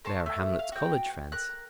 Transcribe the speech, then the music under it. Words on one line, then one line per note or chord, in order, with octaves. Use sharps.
They are Hamlet's college friends.
A#4 A5 C6 C#6
A3
F5
F#4 G5
A#4 F#6